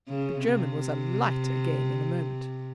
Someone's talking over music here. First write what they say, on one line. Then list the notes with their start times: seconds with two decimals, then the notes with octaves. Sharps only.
The German was alight again in a moment.
0.08 C#3
0.39 C3